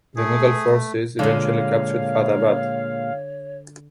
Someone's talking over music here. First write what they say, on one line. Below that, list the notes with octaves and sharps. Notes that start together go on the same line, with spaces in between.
The Mughal forces eventually captured Fathabad.
A3 G#4
A#2 D3 G#3 C#5 F5